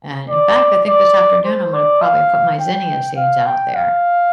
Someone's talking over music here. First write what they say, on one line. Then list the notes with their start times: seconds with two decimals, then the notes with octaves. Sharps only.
And in fact, I think this afternoon I'm gonna probably put my zinnia seeds out there.
0.30 D5
0.87 D5
1.45 C5
1.74 D5
2.02 F5
2.60 G5
3.17 F5
3.46 G5
3.75 F5